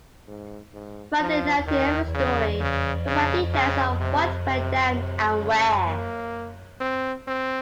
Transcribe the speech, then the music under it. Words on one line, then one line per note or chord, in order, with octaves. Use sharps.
Friday narrated every story, providing details of what went down and where.
G#2
G#2
F3
D#3
C#3
C#3
C#3
C#3
C3
C3
C3
C#3
A#3
C4
C4